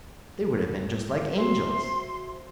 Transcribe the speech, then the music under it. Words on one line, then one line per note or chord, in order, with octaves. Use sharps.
They would have been just like Angels....!'
F#4 C5 E5 C6